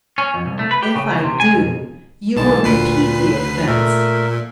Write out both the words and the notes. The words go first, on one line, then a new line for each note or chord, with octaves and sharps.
'If I do, you will repeat the offence.'
C#4
F2
C2
A3
B4
G4
C#3
D#2
C3
G#5
F2
B1 D3 E3 G#3 A5
D2 A#2 B4 C7
A#2 A3 A#4 E5